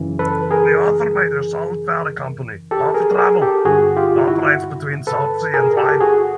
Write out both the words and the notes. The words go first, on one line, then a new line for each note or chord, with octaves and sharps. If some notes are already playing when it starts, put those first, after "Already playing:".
The other major Solent ferry company, Hovertravel, operates between Southsea and Ryde.
Already playing: F#2 C#3 E3
A4 B4
G#4 A#4
G4 A4
G#4 A#4
G#4 A#4
G4 A4
G2 D3 F#4 G#4
F4 G4
E4 F#4
A4 B4
G#4 A#4
G4 A4
F#4 G#4